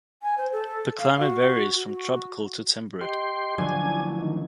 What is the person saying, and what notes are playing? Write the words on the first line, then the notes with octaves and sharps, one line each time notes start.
The climate varies from tropical to temperate.
G#5
C5
A4
F5
F#4
F#4
G4 D#5 C6
D3 F3 F#3 D4 F4 F5 G#5 C#6
A3 C#4 E4
D#3